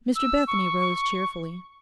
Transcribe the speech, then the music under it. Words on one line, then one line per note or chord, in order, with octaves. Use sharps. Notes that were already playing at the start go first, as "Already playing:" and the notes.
Mr Bethany rose cheerfully.
E6
C#6